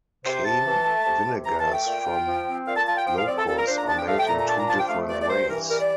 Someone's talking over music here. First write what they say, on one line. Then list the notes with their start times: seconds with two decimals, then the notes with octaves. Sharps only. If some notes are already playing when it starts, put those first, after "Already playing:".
Cane vinegars from Ilocos are made in two different ways.
0.25 C3 C5
0.44 C3 A5
0.65 E3
0.85 A3
1.06 C3
1.25 C3
1.45 E3 A#5
1.59 A5
1.66 A3
1.72 G5
1.85 A#2
2.05 F4
2.27 F3
2.46 C4
2.67 A#2 F5
2.76 A5
2.86 F4 A5
2.97 G5
3.07 F3 G5
3.17 F5
3.27 C4 D5
3.37 A4
3.47 A#2 A4
3.58 A#4
3.67 D4 C5
3.77 A#5
3.87 F3 A5
3.98 G5
4.08 A3 F5
4.18 G5
4.28 A#2 A#5
4.38 A#5
4.48 D4 A5
4.59 A#5
4.68 F3 A5
4.78 G5
4.88 A3 F5
5.08 G2 D5
5.21 D5
5.29 G2 C5
5.49 E3 A#4
5.69 G3 A#4
5.79 D5